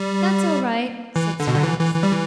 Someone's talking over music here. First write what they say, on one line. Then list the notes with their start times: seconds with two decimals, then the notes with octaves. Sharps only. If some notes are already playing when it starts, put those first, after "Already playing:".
"That's all right," said Scraps.
Already playing: G3
1.16 E3
1.40 D3
1.47 B2
1.55 D3
1.63 E3
1.79 E3
1.95 E3
2.03 G3
2.11 E3